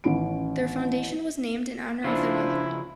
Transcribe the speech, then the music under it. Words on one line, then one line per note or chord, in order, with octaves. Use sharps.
Their foundation was named in honor of their mother.
A1 D#3 C#4 B5 D7
C#3 F3 D4 E4 F4 C5